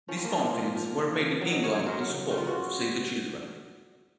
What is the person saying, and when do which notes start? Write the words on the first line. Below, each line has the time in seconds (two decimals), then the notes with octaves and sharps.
These fan films were made in England in support of Save the Children.
0.08 F3 C#4
0.16 C4
0.25 A#3
0.30 F3 C4
0.53 A#2
0.76 F3
0.98 C#3
1.20 C#3
1.41 F#3
1.52 D#5
1.64 C#3 C#5
1.75 C5
1.86 F#3 A#4
2.09 C#3
2.31 C#3
2.38 F4
2.47 F#4